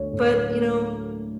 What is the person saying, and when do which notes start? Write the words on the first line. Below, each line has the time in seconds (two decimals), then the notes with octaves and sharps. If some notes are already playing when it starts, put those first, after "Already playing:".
But, you know,
Already playing: D2 C#5
0.13 A2
0.32 F#3
0.53 A3